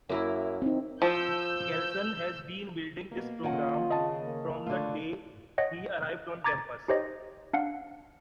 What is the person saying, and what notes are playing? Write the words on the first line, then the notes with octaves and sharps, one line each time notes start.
Kelson has been building this program from the day he arrived on campus.
F#2 A#3 E4 A#4
C4 D#4
F3 E6 G6
B2 A#3
D#3 C#4 F4 F#5
C#3 D#5 A5
A#3
D3 A3 F4
C#5 D#5 F#5
F#6
A#5 D6 G#6 A6
D#4 G4 C5 C#5 D#5
D4 F5 F#5